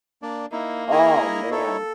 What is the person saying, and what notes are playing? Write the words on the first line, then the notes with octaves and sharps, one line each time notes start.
Oh, man.
A#3 D4 D5
A#3 D#4 E4
E4 G#4 D#5 G#5 A#5
D#4 E4 A4 C#5